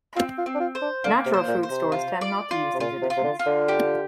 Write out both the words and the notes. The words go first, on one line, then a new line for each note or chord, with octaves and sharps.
Natural food stores tend not to use these additions.
C4 F4
F4
C4
D4
F4
C5
D4
D3 A#3
C3
C5
A#2
C5
C3
F4
D5
F4
C3
A#2 F4
C3
F4
C3
D3
F4
D3
G4